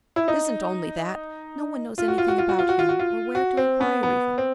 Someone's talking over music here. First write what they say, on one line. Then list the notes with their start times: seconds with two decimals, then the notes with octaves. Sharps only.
"It isn't only that; no one knows anything about him, or where to inquire even."
0.16 E4
0.28 D#4
1.98 F4
2.08 F#4
2.18 F4
2.28 F#4
2.38 F4
2.49 F#4
2.59 F4
2.69 F#4
2.79 F4
2.89 F#4
2.99 F4
3.35 F#4
3.57 C4
3.81 B3
4.03 B3
4.38 C4